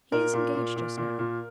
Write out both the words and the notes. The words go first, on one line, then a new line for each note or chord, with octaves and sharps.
He is engaged just now.
A#2 A#4
A#2
A#2
A#2
A#2
A#2